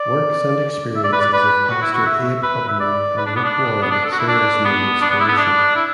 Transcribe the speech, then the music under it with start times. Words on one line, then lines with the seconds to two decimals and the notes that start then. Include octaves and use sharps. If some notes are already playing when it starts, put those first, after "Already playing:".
Works and experiences of pastors Abe Hubner and Rick Warren serve as main inspiration.
Already playing: D5
0.96 E5
1.04 D5
1.12 B4
1.21 D5
1.33 B4
1.70 F#4
1.81 E4
1.94 F#4
2.06 E5
2.43 B4
2.68 E5
2.80 D5
3.17 B4
3.26 D4
3.36 B3
3.44 D4
3.82 B3
3.91 D4
4.05 A4
4.12 F#4
4.19 E4
4.28 D4
4.65 B3
5.01 D4
5.10 B3
5.20 E4
5.29 B3
5.37 D4
5.75 E4